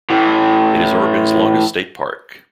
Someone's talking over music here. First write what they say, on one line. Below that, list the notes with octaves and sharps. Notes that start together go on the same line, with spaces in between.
It is Oregon's longest state park.
A2 E3